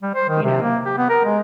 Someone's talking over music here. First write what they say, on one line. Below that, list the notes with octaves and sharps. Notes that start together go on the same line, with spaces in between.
you know?
G3
C5
D#3
C3
A#3
G4
B3
A#4
G#3